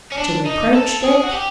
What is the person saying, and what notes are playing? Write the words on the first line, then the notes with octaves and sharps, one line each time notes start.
To reproach Dick?
C#4
D4
D#4
A4
G#4
F#4
G4